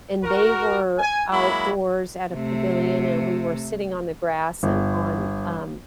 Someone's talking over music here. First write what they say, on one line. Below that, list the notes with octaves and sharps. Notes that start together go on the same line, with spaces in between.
and they were outdoors at a pavilion, and we were sitting on the grass and on, um,
F#4 A#4
G#5
F#3 G#3 A#3 E4 B5
C3 A3
G1